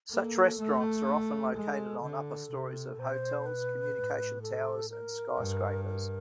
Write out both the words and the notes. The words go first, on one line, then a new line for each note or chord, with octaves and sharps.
Such restaurants are often located on upper stories of hotels, communication towers, and skyscrapers.
A#3 A4
A3
A4
G#3
D3
C3
B2 C5
B4
A2
A4
A#4
G2
A#4